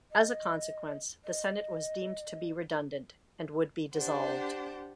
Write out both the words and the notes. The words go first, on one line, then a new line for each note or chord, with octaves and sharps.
As a consequence, the Senate was deemed to be redundant and would be dissolved.
D#5
D#5
D4 G4 C5 F#5